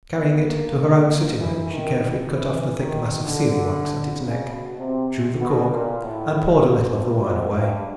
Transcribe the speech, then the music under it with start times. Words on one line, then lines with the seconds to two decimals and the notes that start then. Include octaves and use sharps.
Carrying it to her own sitting-room, she carefully cut off the thick mass of sealing-wax at its neck, drew the cork, and poured a little of the wine away.
0.15 B3
0.46 A#3
1.39 E3
1.69 D#3
2.01 E3
2.31 E3
2.78 D#3
3.24 D3
4.17 C#3
4.47 B2
4.78 C3
5.39 B2
5.70 A#2
6.02 A2
6.47 G#2
6.94 G2
7.24 G#2
7.56 G2